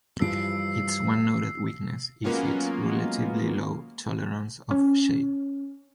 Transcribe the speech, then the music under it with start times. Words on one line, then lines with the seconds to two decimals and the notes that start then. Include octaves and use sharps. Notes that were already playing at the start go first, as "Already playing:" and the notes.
Its one noted weakness is its relatively low tolerance of shade.
0.20 G2 E3 F3 E6 C7 D7
2.24 F#3 G#3 A#3 B3 C#4 F4
4.71 C#4